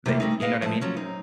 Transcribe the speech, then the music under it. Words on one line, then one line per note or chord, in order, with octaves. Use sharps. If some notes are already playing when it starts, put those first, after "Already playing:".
that you're you know what I mean?
C3 E3 A3 A#3 C#5
G3 A3 C4 C#4 D#4
G#4 B4 D#5 F5
F3 G#3 A3 A5
F3 F#3 C#4
F#2 C4 D#4